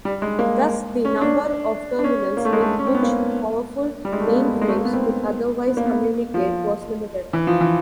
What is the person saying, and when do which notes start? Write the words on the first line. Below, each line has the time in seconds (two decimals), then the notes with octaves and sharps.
Thus the number of terminals with which powerful mainframes could otherwise communicate was limited.
0.05 G3
0.22 G#3
0.39 A#3
1.05 C#4
1.21 D4
1.99 D4
2.04 C#4
2.37 A#3
2.45 A3
2.53 G#3
2.61 A3
2.79 C#4
2.87 C4
2.95 B3
3.03 A#3
4.05 G3
4.13 G#3
4.20 A3
4.28 A#3
4.35 B3
4.61 G#3
4.69 A3
4.77 A#3
4.85 B3
4.93 C4
5.67 B3
5.77 A#3
5.86 B3
6.34 F3
7.33 E3
7.47 F3
7.61 E3